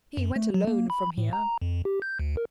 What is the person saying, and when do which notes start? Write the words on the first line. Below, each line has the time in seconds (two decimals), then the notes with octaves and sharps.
He went alone from here.
0.17 F#2
0.36 A3
0.54 F#3
0.67 A#3
0.90 B5
1.18 A2
1.33 A#5
1.61 F2
1.85 G4
2.02 G6
2.19 D2
2.37 A#4